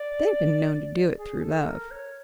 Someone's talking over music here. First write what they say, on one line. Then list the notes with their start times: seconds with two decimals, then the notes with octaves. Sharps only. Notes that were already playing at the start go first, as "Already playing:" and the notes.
They have been known to do it through love.
Already playing: D5
1.17 G#4
1.40 A4
1.66 A#4
1.90 C#5